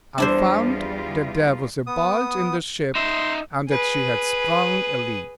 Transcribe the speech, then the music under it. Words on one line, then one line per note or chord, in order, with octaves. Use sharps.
I found that there was a bulge in the ship, and that she had sprung a leak.
E2 G3 D4 E4 F4 C5
B3 D#6
D#4 E5 C6
G#4 B4